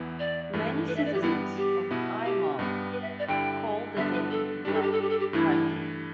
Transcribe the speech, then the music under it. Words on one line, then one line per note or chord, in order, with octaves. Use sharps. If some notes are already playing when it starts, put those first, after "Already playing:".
Many citizens of Eyemouth call the day Black Friday.
Already playing: E2 E3 B3 E4
D5
G2 E3 A3
B4
E5
D5
G4
G2 G3 B3 E4
G4
B2 B3 E4
G4
G2 G3 B3
B4
E5
D5
G2 D3 G3 E4 G5
G2 D3 G3 B3 D4 E5
B4
A4
G2 G3 D4 G4
A4
G4
A4
G4
A4
G4
G2 E3 A3 D4 E4